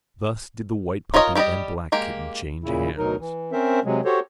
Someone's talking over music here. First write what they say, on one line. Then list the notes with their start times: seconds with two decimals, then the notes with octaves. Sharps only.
Thus did the white puppy and black kitten change hands.
1.14 D#4 F4 A#4 C#5 D#5
1.35 G3 G4 A4 D5 D#5
1.92 G#3 A#3 G4
2.64 A#2 C#3 E4
2.98 D2 B2 F#3 D#4 A#4
3.20 E3
3.52 C4 C#4 A#4 C5 E5
3.85 C3 F#3 G#3
4.05 F#4 G4 A4 C5 C#5